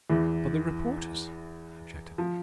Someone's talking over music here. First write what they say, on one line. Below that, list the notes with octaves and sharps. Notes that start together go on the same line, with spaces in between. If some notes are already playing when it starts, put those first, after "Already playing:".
"But the reporters," I objected.
E2 E3
F3